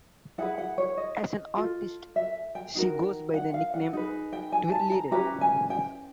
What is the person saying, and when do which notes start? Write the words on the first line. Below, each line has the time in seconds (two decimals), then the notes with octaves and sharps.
As an artist, she goes by the nickname Twirlyred.
0.38 E4 G#4 B4 F#5
0.58 F#5
0.78 C#5
0.97 D#5
1.57 F4 A4
2.16 E5
2.55 G5
2.75 D#4 F#4 A#4
3.34 F#5
3.54 F5
3.74 F#5
3.93 D#4 G#4 B4
4.33 G5
4.52 G#5
4.72 A5
4.92 A#5
5.11 C#4 E4 G4 B4 A#5
5.41 G#5
5.70 G5